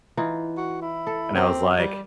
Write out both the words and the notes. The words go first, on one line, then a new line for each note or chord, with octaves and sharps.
and I was like,
E3 D#4 F4
F#4
E4
A4
C4 G4 A#4
G3